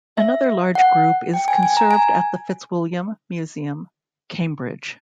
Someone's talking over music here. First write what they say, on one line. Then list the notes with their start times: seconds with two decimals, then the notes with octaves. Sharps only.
Another large group is conserved at the Fitzwilliam Museum, Cambridge.
0.17 E5
0.75 F#5
1.34 G5
1.48 G#5
1.63 G#5
1.77 A#5
1.91 G#5